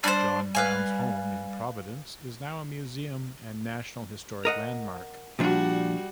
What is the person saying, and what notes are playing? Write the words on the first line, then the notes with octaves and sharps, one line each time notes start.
John Brown's home in Providence is now a museum and National Historic Landmark.
G3 D4 C5
B4 F5 G#5
A#4 D#5 F#5
A#2 F3 G3 D4 F#4